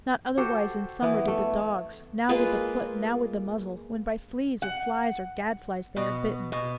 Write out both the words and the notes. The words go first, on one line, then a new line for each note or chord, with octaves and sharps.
Not otherwise in summer do the dogs, Now with the foot, now with the muzzle, when By fleas, or flies, or gadflies, they are bitten.
F#4 G4 A4 C5
E3 B3 E4
A3
G#3 A#3 F4 B4
F#5
B2
B2